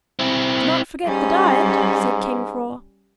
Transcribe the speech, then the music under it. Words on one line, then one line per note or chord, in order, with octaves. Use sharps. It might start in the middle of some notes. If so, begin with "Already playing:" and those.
"Do not forget the diet!" said King Hroar.
C4 E4
G#2 G3 C#4